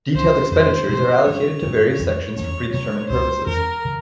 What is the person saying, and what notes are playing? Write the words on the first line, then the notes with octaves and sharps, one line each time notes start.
Detailed expenditures are allocated to various sections for pre-determined purposes.
C#2 C3 F3 C5
F2 E3 G3 C5
C3 F3 C4 C5
G2 E3 G3 C4 C#5
G#2 E3 G3
F2 E3 G3
E2 E3 A#3 C#4 C#5
C3 G3 C#4 C#5
C#2 C#3 E3 G#3 C5
E2 E3 G#3 C#4 A#4
C#3 E3